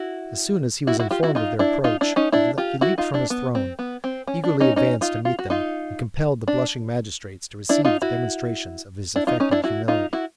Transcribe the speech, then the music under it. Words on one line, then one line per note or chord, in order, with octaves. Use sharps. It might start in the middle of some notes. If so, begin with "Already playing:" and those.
As soon as he was informed of their approach, he leaped from his throne, eagerly advanced to meet them, and compelled the blushing magistrates to receive the demonstrations of his affected humility.
Already playing: E4 F#4
E4 F#4
E4 F#4
F4 G4
E4 F#4
D#4 F4
D4 E4
D#4 F4
D4 E4
C#4 D#4
D4 E4
F4 G4
E4 F#4
D#4 F4
D4 E4
B3
C4
B3
C4
C#4
D4
C#4 D#4
C#4 D#4
D#4 F4
F4
F#4
D#4 F4
D4
D4 E4
D#4 F4
E4 F#4
D4 E4
D#4 F4
C#4 D#4
D4 E4
E4 F#4
D#4 F4
E4 F#4